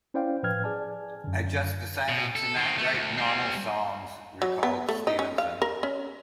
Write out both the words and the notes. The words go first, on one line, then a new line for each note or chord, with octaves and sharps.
"I just decided to not write normal songs", recalled Stevenson.
C#4 E4 C5 D5 F5 G5
A2 F3 B4 G5 F6 G#6
G#4 D5 G#5 A5
F#2 D3
B2
A4
D#3 C4
A3
D2
G3 C4
F#3
B3
A3
D#4
C#4
F5
A#4
C#4